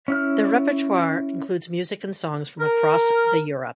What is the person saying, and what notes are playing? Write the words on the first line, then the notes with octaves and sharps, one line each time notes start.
Their repertoire includes music and songs from across the Europe.
C#4 E4 F6
A#4